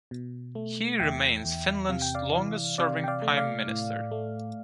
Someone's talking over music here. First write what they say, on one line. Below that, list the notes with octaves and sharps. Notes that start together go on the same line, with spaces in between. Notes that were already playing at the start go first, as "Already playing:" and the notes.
He remains Finland's longest-serving prime minister.
B2
A3
E2 E5 G5
E2
C3 F5
G5
D5 F5
E3
C3 D5 F5
G5
D5 F5
A3
D5 F5
A2
A3